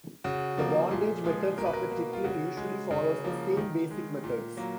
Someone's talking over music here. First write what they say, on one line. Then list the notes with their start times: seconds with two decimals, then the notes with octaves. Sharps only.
The bondage methods of the tickling usually follows the same basic methods.
0.24 C#3 F#4
0.58 F3 A#3
0.91 A#2 G#4
1.24 F3 G#3
1.58 B2 A#4
1.66 B4
1.73 A#4
1.91 A#3
2.13 F4
2.24 C#3 F#4
2.57 G#3
2.91 C#3
3.24 F3 A#3
3.57 D#3
3.90 G#3
4.24 A#2
4.57 F#3 A#3